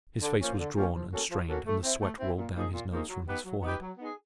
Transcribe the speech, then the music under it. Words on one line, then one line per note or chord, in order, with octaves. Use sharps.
His face was drawn and strained, and the sweat rolled down his nose from his forehead.
D3
F3 A#3 C#4
D3
F3 A#3 C#4
F3
A#3 C#4 F#4 A4
F3
A#3 C#4 F#4 A4
A3
C4 E4
A3
C4 E4
A#2
F3 A#3 D#4 G#4
A#2
F3 A#3 D#4 G#4
F#3
B3 D#4 G4 B4
F#3
B3 D#4 G4 B4
F#3
B3 D#4 G#4